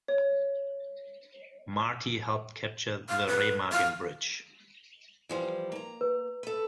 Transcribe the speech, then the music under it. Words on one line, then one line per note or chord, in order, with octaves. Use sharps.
Marty helped capture the Remagen Bridge.
C#5
F5
B4
F5
E3 F3 G3
A#3 A#5
B4
A4 B4